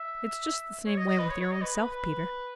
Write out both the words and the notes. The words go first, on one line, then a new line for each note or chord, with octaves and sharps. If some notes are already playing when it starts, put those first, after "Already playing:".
It's just the same way with your own self, Peter.
Already playing: E5
C#5
D#5
D#5
B4
C#5
C#5
D#5
B4
B4
B4